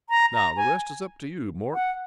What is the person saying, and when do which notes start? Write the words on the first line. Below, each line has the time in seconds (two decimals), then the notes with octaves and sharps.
Now the rest is up to you, Mort.
0.10 A#5
0.34 A#5
0.57 G#5
1.74 F#5